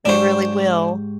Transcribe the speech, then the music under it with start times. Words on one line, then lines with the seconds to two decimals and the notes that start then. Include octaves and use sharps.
They really will.
0.05 G#2 D4 G4 C5 C#6